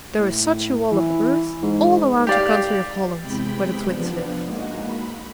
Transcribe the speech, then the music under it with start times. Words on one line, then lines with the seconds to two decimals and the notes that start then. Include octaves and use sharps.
There is such a wall of earth all around the country of Holland, where the Twins live.
0.19 A2
0.91 E3
1.62 G#2
2.27 G4 D5 F5
3.19 E2 C3 G#3 G5 B5
3.84 F3 B3 D4
4.44 G#3 A#3 D#4 F#4
4.79 B5